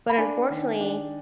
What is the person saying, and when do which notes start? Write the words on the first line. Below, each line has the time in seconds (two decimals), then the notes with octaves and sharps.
But unfortunately,
0.09 B5
0.17 D4 G#5
0.50 D#3
0.81 D4